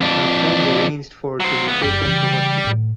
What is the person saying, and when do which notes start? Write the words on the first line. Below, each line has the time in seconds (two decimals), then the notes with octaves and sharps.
Her friends arranged for to be taken to hospital.
0.01 F2 D4
1.40 F#3 C5
1.68 C#2 B3
1.82 F#1 G3 G4
2.02 C#3 E3
2.64 A2